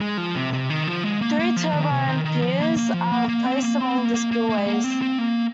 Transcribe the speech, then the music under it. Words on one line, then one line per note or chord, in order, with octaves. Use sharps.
Three turbine piers are placed among the spillways.
G#3
F3
C3
C3
D#3
F3
G#3
A#3
A#3
F3
D#3
C3
D#3
D#3
F3
A#3
A#3
F3
A#3
A#3
C4
A#3
C4
A#3
A#3
A#3
A#3
G#3
A#3
C4
C4
A#3